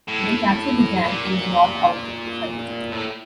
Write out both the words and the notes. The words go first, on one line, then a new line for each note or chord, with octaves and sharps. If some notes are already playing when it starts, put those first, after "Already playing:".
They capture the gang in an all-out fight.
A2
A#2
A2